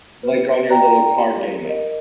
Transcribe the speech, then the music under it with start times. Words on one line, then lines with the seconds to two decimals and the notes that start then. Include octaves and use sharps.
Like, on your little card game app.
0.23 B4
0.70 D5 G5 A#5
1.17 G4
1.64 A#4 D#5